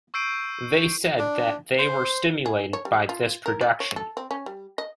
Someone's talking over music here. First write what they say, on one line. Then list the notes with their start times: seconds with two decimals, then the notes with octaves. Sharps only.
They said that they were stimulated by this production.
0.14 C#6 E6 G6 C7 D7 D#7
1.19 D4
1.79 C5
2.46 G#4
2.73 C#5
2.85 G3
3.09 F4
3.46 A#4
3.61 D5
3.80 C#5
3.96 A4
4.17 C4
4.31 C#4
4.46 G3
4.78 D#5